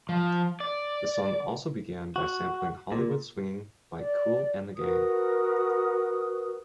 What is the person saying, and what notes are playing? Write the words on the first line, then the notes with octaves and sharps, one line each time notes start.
The song also began by sampling "Hollywood Swinging" by Kool and the Gang.
F3
D5
F#4
A#2
D5
F#4 A#4 B4 D#6